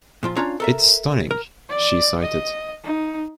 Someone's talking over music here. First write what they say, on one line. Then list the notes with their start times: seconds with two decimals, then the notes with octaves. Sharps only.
"It's stunning," she cited.
0.23 A#2 F3 F4
0.36 C#4 D4 F4 C#5 F5 A#5
0.60 A4 A#4 E5
1.31 A#4
1.69 D5
2.21 D#5
2.84 D#4